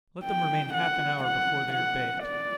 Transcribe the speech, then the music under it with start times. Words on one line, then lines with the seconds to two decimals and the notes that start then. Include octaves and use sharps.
Let them remain half an hour before they are baked.
0.23 G5
0.74 F#5
1.23 F#5
1.73 F#5
2.24 D5